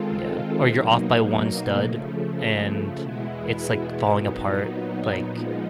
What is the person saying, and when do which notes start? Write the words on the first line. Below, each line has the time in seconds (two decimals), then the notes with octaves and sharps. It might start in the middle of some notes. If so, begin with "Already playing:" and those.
Yeah, or you're off by one stud and it's like falling apart like
Already playing: D#3 G#3 C4 F4 A4
0.69 B2 F#3 A#3 D#4
1.85 C#3 F3 A3
3.00 E2 B2 G#3 B3 E4
4.15 A#2 F#3 B3 D#4
5.31 A#2 F3 G#3 B3 D#4